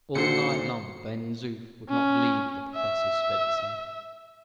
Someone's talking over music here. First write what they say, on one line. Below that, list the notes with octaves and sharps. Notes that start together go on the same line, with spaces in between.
All night long Ben Zoof would not leave the professor's bedside.
A#2 D3 D#3 F#4 C5 C#7
C#4
E5